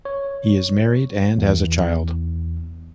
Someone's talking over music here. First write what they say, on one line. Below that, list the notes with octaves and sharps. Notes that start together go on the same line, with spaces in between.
He is married and has a child.
C#5
E2